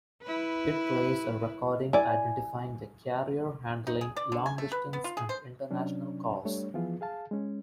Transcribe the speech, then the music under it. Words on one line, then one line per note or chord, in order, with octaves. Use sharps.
It plays a recording identifying the carrier handling long distance and international calls.
E4 B4
E4 D5 G#5
D#4
G#4
D5
D3
G#5
A3
B4
B3
F4
G#4
C5
C3 F#3 C#4 D4
G3 A3 D4 C#5
E3 F3 B3 F4 G#4
G#4 F5 A5
G#3 C#4